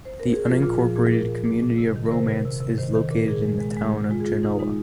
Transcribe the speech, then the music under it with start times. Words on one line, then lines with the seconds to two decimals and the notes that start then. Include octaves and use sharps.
The unincorporated community of Romance is located in the town of Genoa.
0.05 C5
0.20 A#4
0.33 G#4
0.46 F3 F4
0.62 A#2 F4
0.79 F3 G#4
0.96 A#2 G#4
1.13 A#2 A#4
1.29 F3
1.45 A#2
1.63 A#2
1.78 C3
1.96 D#3
2.06 A#4
2.11 C3 C5
2.28 C3
2.45 C3
2.61 C3
2.78 D#3 C5
2.94 D#3 C5
3.11 A#2 A#4
3.28 A#2 G#4
3.44 G#3 G#4
3.61 G#3
3.77 G#3
3.94 G#3
4.10 G#3 F4
4.20 G#4
4.26 G#3 F4
4.43 G#3 D#4
4.59 G#3 D#4